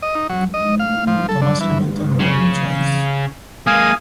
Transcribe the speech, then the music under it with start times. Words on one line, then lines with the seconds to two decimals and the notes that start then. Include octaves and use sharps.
Thomas Hamilton married twice.
0.02 D#5
0.15 D#4
0.29 F#3
0.54 D#5
0.80 F5
1.07 F3
1.29 A4
1.41 D3
1.61 E3
2.20 C#3
3.67 G#3 A#3 F5 G#5 D#6